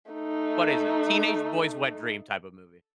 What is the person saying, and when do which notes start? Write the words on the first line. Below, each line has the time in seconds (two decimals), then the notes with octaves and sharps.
what is it? Teenage boys' wet dream type of movie.
0.12 A3 D#4